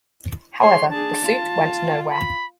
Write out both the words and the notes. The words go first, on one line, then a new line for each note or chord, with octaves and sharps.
However, the suit went nowhere.
G#4 C#5 C6
D4 G#4 A5
F4
B5